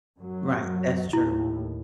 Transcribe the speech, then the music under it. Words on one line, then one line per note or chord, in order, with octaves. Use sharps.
Right. That's true.
F#2 F#3
D#2 A2 E4